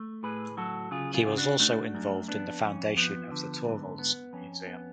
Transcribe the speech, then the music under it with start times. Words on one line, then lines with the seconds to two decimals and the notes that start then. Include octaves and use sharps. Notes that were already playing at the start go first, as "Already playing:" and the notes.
He was also involved in the foundation of the Thorvaldsen Museum.
Already playing: A3
0.23 A2 G#4 B4
0.57 F#3 F#4 A4
0.91 C#3 F4 G#4
1.14 F4 G#4
1.27 C#3
1.37 D4 F#4
1.60 A3 D4 F#4
1.95 F#2
2.28 F2 B3 D4
2.63 F2 C#4
2.97 F3 B3
3.31 D3
3.65 G#2
3.99 B3
4.33 F2 C#4
4.67 B3